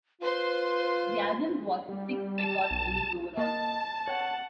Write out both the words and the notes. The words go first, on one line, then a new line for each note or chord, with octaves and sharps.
The album was his sixth record release overall.
F4 B4 C5 C6
G3
A5
B1
A#3 D#5 A5
C#5 F#5